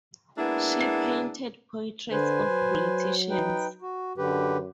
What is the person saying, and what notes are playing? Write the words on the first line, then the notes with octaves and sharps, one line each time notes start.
She painted portraits of politicians.
G#3 A#3 B3 D4 E4
D3 B4 C5 G#5
F#3
D#4 B4 G5
F#4
F#2 D3 G4 B4